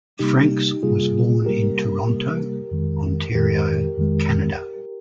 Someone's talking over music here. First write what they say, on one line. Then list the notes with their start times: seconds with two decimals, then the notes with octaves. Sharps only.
Francks was born in Toronto, Ontario, Canada.
0.19 C3 G3 A#3 D#4 G4
0.83 C3 G3 A#3 F4 G#4
1.45 C3 G3 A#3 G4 A#4
2.08 C3 G3 A#3
2.71 F2 D#3 G#3
3.34 F2 D#3 G#3 G4 A#4
3.98 F2 D#3 G#3